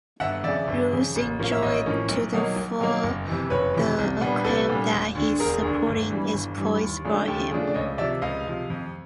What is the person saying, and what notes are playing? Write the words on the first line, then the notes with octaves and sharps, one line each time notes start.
Roose enjoyed to the full the acclaim that his sporting exploits brought him.
G1 E5 F#5
F2 C#3 D5 E5
G1
F2 C#3
A1
A2 F3 A#3 C#4 F5
E5
A1 C#5 D#5
A2 F3 A#3 C#4
B1
B2 F#3 A#3 D#4
B1
B2 F#3 A#3 D#4
F#1
F2 C3 E3
F#1 B4 C#5
F2 C3 E3
C2
A#2 G3 B3 D4
C2 A4 B4
A#2 G3 B3 D4
E1
D2 D3
E1 G#4 A#4
D2 D3
G1
G2 E3 G3
G1
G2 E3 G3
D#2
C#3 F3 A3 D4
D#2 G4 A4
C#3 F3 A3 D4
D5
C#2 C#5 D#5
C3 F3 D5 E5
C#2 D#5 F5
C3 F3
F2